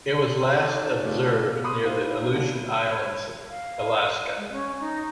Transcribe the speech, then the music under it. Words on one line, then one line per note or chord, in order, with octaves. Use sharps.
It was last observed near the Aleutian Islands of Alaska.
C#4 D#4 A4 D5
C#3 A3 C#4 D4 F4 G4
B2
B5 C6 D6 D#6 F#6
D#4 E4 G4 C5 F5
A#2 D3 G3 A#3 B3
C#5
F5
G#3
C#4
D#4